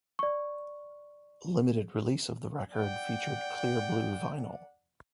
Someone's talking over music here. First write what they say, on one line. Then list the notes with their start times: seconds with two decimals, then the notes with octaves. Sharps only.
A limited release of the record featured clear blue vinyl.
0.19 D5 C#6
2.73 D5 F#5 G5